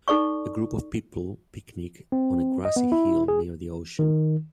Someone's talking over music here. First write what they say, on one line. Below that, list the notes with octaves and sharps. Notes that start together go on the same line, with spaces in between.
A group of people picnic on a grassy hill near the ocean.
D#4 A4 D5 C#6
C4
D#5
B3
E4
G#4
D#3